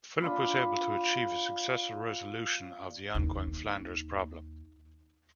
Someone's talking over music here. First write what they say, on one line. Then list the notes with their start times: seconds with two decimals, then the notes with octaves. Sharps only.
Philip was able to achieve a successful resolution of the ongoing Flanders problem.
0.22 D4 F4 B4
3.15 D#2 D#4